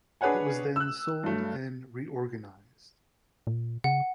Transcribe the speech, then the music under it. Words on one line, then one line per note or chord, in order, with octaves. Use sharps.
It was then sold and re-organized.
D4 G#4 B4 C#5 F#5 G#5
E6 F#6
G2 F#3 A3
A#2
C#3 F#5